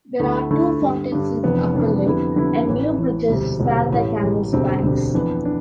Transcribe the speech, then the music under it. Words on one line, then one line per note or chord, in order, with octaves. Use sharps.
There are two fountains in Upper Lake, and new bridges span the canal's banks.
D2 D3 A3 E4
D2 D3 A3 E4
G2 D3 G3
G2 D3 G3
F1 F2 E3 B3 D4
F1 F2 E3 B3 D4
F2 D3 G3 B3 E4
F2 D3 G3 B3 E4
A1 A2 E3
A1 A2 E3
E1 D2 C3 G3 C4
E1 D2 C3 G3 C4
A1 A2 G3
A1 A2 G3
E1 D2 D3 G3 C4
E1 D2 D3 G3 C4
F2 E3 B3 D4
D4